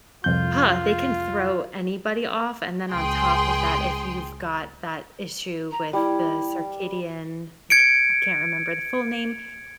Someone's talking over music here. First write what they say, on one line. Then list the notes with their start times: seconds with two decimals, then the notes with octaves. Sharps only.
huh, they can throw anybody off, and then on top of that, if you've got that issue with the Circadian I ca I can't remember the full name,
0.24 C2 F2 F4 G6
2.92 C#2 G#4 G5 C6
5.71 A#5
5.93 G3 E4
7.70 G#6 C#7 D7